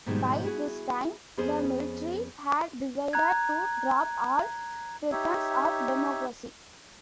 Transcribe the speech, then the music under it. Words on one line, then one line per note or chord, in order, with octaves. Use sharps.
By this time, the military had decided to drop all pretense of democracy.
G#2 B2 D#3 F3 G3 G#3
E4 F#4 G#4
F2 B3 C#4 G#4 C5
A#5 F#6 G#6
D#4 G4 C#5 E5